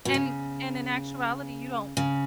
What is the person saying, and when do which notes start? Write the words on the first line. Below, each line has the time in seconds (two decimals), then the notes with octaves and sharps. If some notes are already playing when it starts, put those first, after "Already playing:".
and and in actuality, you don't
0.05 B2
0.14 C#3
1.97 C#3